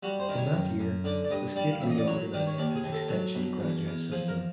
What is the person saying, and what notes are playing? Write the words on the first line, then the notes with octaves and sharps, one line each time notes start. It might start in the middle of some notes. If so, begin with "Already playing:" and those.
In that year, the state reorganized its extension graduate system.
G3 F#4
C5
D#3
C#5
F#2
F#2
D3 D5
D5
G2 D#5
G3 D5
F5
A1 E5
D#5
D5
F#3 C#5
D#3 D5
C#5
D#2 D5
G#4
D#2
A4
F#3
B2
E2
E2
F3 G#4
A#4